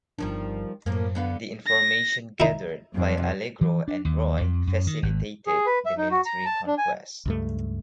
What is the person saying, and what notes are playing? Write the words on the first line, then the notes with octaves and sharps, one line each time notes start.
The information gathered by Allegro and Roy facilitated the military conquest.
G1 D#3 F3 G3 D4
F#2 A2 F3 A#3
D3 B3 F5
A#6
D#4 E4
F2
E3
D4
D#2
F2
F#2
D#3
G#1
G#4
B4
E5
D#4
F#4
A#5
A5
D4
G#5
C#2 G2 A3